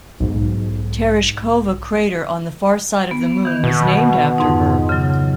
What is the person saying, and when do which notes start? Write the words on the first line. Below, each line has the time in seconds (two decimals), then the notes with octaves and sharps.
Tereshkova crater on the far side of the Moon was named after her.
0.20 B1 G#2
3.11 B3
3.45 D#3 E3
3.64 B2
4.38 F2 G#2 D#4
4.89 C#3 F#3